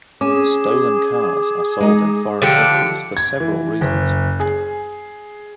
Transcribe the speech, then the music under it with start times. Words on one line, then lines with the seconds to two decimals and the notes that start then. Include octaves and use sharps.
Stolen cars are sold in foreign countries for several reasons.
0.21 C#4 G#4 D6
1.80 G#3 D#4
2.42 D3 F3 G4 A6 C#7 D7
3.17 G#6
3.40 E3
3.81 F#1
4.40 G#4